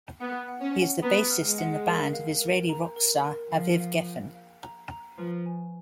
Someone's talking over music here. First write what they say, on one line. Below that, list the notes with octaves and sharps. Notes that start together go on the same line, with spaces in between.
He is the bassist in the band of Israeli rock star Aviv Geffen.
B3 F#5
F#5
C#4
F#5
B3 A#5
F6
G#3
F#5
A#4
F5
A#4
A#5
A#4
A#4
F3 F5
F5
F5
F5
A#5
A#5
F3 B4
G#5